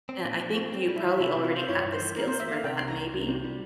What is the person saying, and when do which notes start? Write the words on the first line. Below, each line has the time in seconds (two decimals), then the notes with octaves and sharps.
Uh, I think you probably already have the skills for that maybe.
0.09 C4
0.25 A#2
0.41 F3
0.56 C4
0.72 C4
0.88 G3
0.96 E4
1.04 E3
1.20 C3 E4
1.33 C3 E4
1.44 F4
1.53 C4 C5
1.68 G2 C#5
1.85 G2
1.92 C5
2.00 E3
2.16 A#3 A#4
2.28 A#3 C5
2.40 E5
2.48 A#3 F5
2.64 C3 G5
2.77 C2 C6
2.88 A#5
2.96 C2
3.13 C2
3.28 C3
3.44 G3